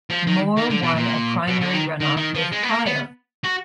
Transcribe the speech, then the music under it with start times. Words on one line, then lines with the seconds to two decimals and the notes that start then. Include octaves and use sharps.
Moore won a primary runoff with Preyer.
0.10 F3
0.27 D#3
0.57 D#3
0.71 D3
0.83 B2
0.96 A#2
1.48 B2
1.61 D3
1.74 D#3
2.00 D#3
2.17 D#3
2.35 F3
2.52 G#3
2.63 B3
2.69 A#3
2.86 B3
3.45 F#4